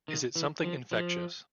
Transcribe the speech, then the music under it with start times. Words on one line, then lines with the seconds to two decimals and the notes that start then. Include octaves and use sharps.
Is it something infectious?
0.08 D#3
0.35 E3
0.64 F3
0.91 F3